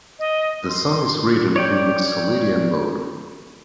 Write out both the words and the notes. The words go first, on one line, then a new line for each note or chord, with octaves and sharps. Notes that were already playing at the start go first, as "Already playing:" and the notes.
The song is written in Mixolydian mode.
D#5
C6
C#5 D5 G5